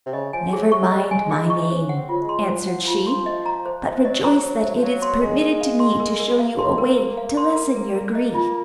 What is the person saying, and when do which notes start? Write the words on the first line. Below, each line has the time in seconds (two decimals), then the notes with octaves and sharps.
'Never mind my name,' answered she, 'but rejoice that it is permitted to me to show you a way to lessen your grief.
0.06 C3
0.13 C#3 D#5
0.33 F3 G#5
0.53 F#3 G#4
0.68 F3
0.72 F#3 C#6
0.92 G#3 D#5
1.11 F#3 G#5
1.18 G#3
1.31 G#4
1.44 D#4
1.50 C#6
1.70 C#4 C5
1.89 F#5
1.96 C4
2.09 F#3 F4
2.22 G#3
2.29 C6
2.40 F#3
2.47 F3 C5
2.67 F#5
2.87 F4
3.07 C6
3.26 D#5
3.46 A#5
3.66 C5
3.85 C5
4.04 F#3 D#5
4.24 A#5
4.43 C5
4.63 C5
4.74 F3
4.83 F#3 F5
5.02 C6
5.21 G#3 A#4
5.41 A#4
5.61 F5
5.80 C6
6.00 A#4
6.19 A#4
6.39 A#3 F5
6.59 C6
6.78 A#4
6.98 A#4
7.17 F5
7.37 C6
7.56 A#4
7.76 A#4
7.95 A#4
8.15 D#5
8.34 F4